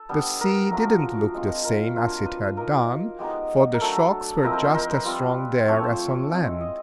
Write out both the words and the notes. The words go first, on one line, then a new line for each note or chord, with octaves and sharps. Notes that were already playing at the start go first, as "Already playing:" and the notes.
The sea did not look the same as it had done, for the shocks were just as strong there as on land.
Already playing: A4
G3 B3 D4
A#4
F#3 A3 D4 F4
G#3 C4 F4
A#4
F#3 A#3 D4 F4
B4
A#3 D#4 A#4
G#3 B3 D#4 G4
A#4
F#3 A3 D4 A4
F3 G#3 C4 E4 A#4
C5
C5
A#4
B4
G3 C4 F4
F3 A3 C4 C#5
C5
C#5
G#3 C4 E4
D#5